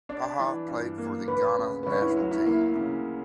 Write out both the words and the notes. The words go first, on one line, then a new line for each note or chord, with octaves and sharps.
Paha played for the Ghana national team.
D4 D5
E3
G2
A#3
D2 B4
C#3
B4
D2 C#5
E4
F#3
E4
A#3 E4
C#3